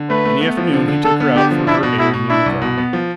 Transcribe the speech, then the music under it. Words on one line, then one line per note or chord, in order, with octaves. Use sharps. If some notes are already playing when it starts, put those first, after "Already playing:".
In the afternoon he took her out for her airing in the garden.
Already playing: D3
A3 B4
A3
B3
F3
D3
D3
D3 A4
B3
D3 G4
F3
D4 E4
B2
B2 E4
B2
D4 E4
C2
B2
B3
F3